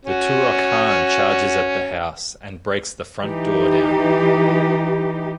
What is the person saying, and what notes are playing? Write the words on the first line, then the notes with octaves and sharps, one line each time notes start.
The Turok-Han charges at the house and breaks the front door down.
C#4 F#4
E3 D#4 G4